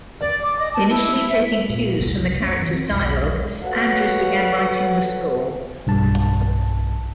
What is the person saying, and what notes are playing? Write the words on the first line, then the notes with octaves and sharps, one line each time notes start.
Initially taking cues from the characters' dialogue, Andrews began writing the score.
D5
D6
D#5
A5
E4
E4
E5
A#2
F#1 C2
C#4
E3
C4
E1 B1 C3 G#3
F#4 A4 B4 C#5 F5 F#5
B1 G2 A5